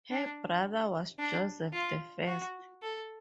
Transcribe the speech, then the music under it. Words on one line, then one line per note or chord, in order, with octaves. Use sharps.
Her brother was Joseph the First.
D4
D4
F4
F#4
A4